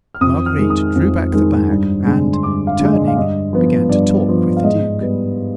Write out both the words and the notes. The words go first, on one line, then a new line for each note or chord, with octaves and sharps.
Marguerite drew back the bag, and, turning, began to talk with the duke.
F6
F2 D#6
F6
D#3 G#3
D#6
F2
D#3 G#3
G2
D3 G#3
C6
G2 D6
F5
D3 G#3
D#5
F5
G2 D#5
F3 B3
G2 D5
F3 B3
F5
G#2 D#5
G3 B3